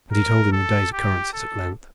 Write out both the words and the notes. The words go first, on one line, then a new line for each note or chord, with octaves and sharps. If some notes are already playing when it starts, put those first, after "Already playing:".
And he told him the day's occurrences at length.
A#4
A4
G4
A4